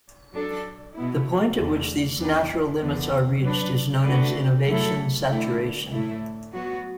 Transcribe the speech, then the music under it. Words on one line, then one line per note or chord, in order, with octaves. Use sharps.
The point at which these natural limits are reached is known as "innovation saturation".
F#3 D4 A4
B2 B3 E4
E2 D3 A3
E2 E3 D4 B4
E2 D3 B3
F#3 D4 B4
D3 A3 D4 F#4 B4
F#3 A3 E4 A4
D3 A3 E4
A2 A3 E4
F#3 B3 F#4